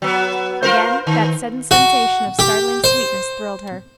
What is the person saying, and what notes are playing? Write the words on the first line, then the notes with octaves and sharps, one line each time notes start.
Again that sudden sensation of startling sweetness thrilled her.
F#3 B3
F4 A#4 C5
D#3
F#4
G4
C5